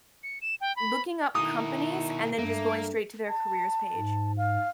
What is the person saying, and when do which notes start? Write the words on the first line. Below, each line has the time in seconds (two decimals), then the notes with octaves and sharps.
Looking up companies and then just going straight to their careers page,
0.23 C#7
0.42 E7
0.61 G5
0.76 B5
1.35 B2 D#3 D#4 E4 D#6
2.38 G2 A3 A#3
3.28 A5
3.96 G#2
4.37 F5